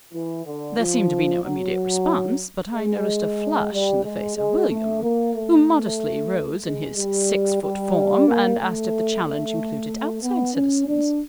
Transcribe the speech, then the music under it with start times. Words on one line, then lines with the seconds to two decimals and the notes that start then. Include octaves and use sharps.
There seemed to be no immediate response, but I noticed a flush in the face of William, who modestly rose in his six-foot form and asked if the challenge included outside citizens?
0.14 E3
0.46 D3
0.79 F3
1.43 F#3
2.73 G#3
3.72 G3
4.04 G#3
4.36 G#3
4.69 A3
5.02 A#3
5.34 A3
6.65 G#3
6.97 G3
7.62 G3
8.27 A#3
8.60 A3
9.25 A3
10.23 B3
10.55 C#4
10.88 D4